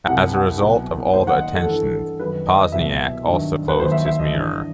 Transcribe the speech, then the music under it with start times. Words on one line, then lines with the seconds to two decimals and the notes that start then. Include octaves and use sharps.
As a result of all the attention, Pozniak also closed his mirror.
0.07 C2 C3 F#3 F#5
0.34 F#5
0.60 C2 B2 F#3
1.13 D#2 D#3 F#3 C5
1.27 F#5
1.40 D#5
1.54 A4
1.67 G2 E3 A4
1.94 A4
2.20 F#2 D#3 F#3 B4
2.47 D#5
2.72 C2 B2 F#3 E5
3.26 G2 D#3 F#3
3.68 B4
3.79 D#2 D#3 F#3 C5
3.92 E5
4.06 E5
4.19 D#5
4.32 G2 E3